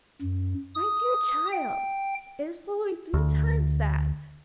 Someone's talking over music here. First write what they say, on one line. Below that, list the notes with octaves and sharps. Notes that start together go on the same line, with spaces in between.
"My dear child!--it is fully three times that."
F#2
D#6
G5
D2